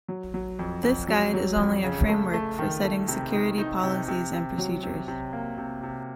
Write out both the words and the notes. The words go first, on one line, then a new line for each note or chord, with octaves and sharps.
This guide is only a framework for setting security policies and procedures.
F#3
F#3
F2
F2
F#3
F#3
F2
C#3
A3
A3
D#3
A3
C3
D#4
D#4
C3
C3
C3
F#3
C3
C3
A#3
C3
C3